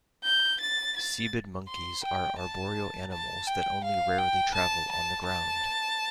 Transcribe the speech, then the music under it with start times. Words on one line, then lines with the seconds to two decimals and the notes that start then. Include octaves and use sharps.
Cebid monkeys are arboreal animals that only rarely travel on the ground.
0.24 G6
0.60 A6
0.96 A6
1.68 C6
2.04 G5
2.40 A5
3.12 A5
3.47 G5
3.84 F5
4.19 G5
4.55 A5
4.91 A5
5.26 A5